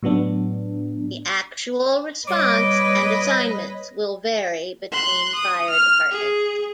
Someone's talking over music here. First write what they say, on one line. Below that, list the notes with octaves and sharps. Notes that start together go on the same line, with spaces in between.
The actual response and assignments will vary between fire departments.
A2 F#3 B3 D4
G3 B4 C#5 D#5 D6
C6 F#6
D#6
F6
G#4